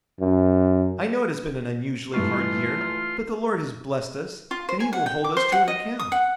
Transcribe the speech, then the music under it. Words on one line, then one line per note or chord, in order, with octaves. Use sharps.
I know it has been an unusually hard year but the Lord has blessed us and He will hold us to an account.
F#2
G2 E3 A3 F4 C#6
C6 F6
F4
C5
G#5
F#5
G5
D6
C5
F#5
D#5
D#6
F#5